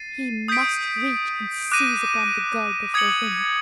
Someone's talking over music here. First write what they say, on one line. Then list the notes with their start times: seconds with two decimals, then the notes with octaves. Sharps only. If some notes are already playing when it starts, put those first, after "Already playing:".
He must reach and seize upon the girl before him!
Already playing: A6 C7 D#7
0.48 D#6 G6 B6 D7
1.72 D6 F#6 A#6 D#7
2.94 D#6 G#6 C#7 F#7